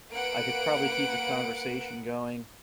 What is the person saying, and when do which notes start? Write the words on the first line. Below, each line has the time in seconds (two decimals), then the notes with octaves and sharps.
I could probably keep a conversation going,
0.13 A#3 B4 F#5 D7